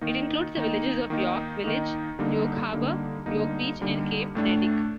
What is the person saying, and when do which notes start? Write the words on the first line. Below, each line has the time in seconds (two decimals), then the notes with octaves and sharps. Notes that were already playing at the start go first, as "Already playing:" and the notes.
It includes the villages of York Village, York Harbor, York Beach and Cape Neddick.
0.01 D#3 A#3 D#4
0.56 D#3 A#3 D#4
1.10 D#3 A#3 D#4
1.64 D#3 A#3 D#4
2.19 D3 G3 A#3 D#4
2.72 D3 G3 A#3 D#4
3.26 D3 G3 A#3 D#4
3.81 D3 G3 A#3 D#4
4.35 A2 A3 D4